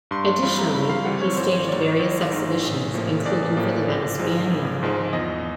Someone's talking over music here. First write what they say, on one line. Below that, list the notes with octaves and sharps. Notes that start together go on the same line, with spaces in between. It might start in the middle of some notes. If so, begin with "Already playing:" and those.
Additionally, he staged various exhibitions, including for the Venice Biennale.
G2 C6
C6
E3 G3 C4 F4 B5
A#5
G2 B5
F5
E3 G3 C4 F4 F#5
C#5
G#1 C5
C#5
G#2 D#3 D5
D#5
G#1
G#2 D#3
A1
A2 F3 A#3
A1 D5
A2 F3 A#3
G#1
G#2 F3 G#3
G#1
G#2 F3 G#3
E2 D#5